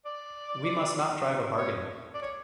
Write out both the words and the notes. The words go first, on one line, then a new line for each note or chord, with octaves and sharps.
We must not drive a bargain.
D5
C#5
D5
C#5